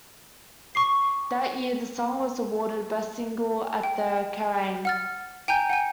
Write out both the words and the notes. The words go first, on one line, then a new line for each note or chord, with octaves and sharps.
That year the song was awarded Best Single at the Kerrang!
C#6 D6 C7
G5
F#5 F6 A6
G5 G#5 A#5 G6
F#5 G#5